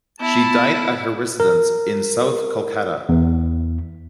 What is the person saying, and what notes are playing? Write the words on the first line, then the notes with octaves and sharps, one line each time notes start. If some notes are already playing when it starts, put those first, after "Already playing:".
She died at her residence in south Kolkata.
B3 E4 A5
A#4
E2